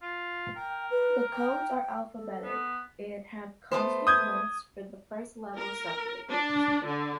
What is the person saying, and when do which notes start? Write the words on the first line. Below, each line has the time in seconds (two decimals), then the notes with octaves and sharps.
The codes are alphabetic and have constant length for the first level subdivisions.
0.02 F4
0.56 A#4 G5
0.91 B4
1.33 G5
2.16 A4
2.44 B3
3.71 A3 B3 C5
4.07 D#6 G6 G#6
5.57 A#4
6.30 D4
6.85 D3